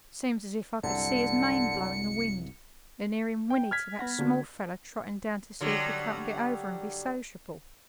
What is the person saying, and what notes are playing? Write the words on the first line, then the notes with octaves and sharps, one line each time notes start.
Seems as if I could see his mane blow in the wind, and hear him whinny to that small feller trotting down to see if he can't get over and be sociable.
C2 F#2 D3 C#7
G5
F6 G#6 B6
B3 F#5 B5 A#6
D3 A#3 C4 F#4
D3 F#3 G3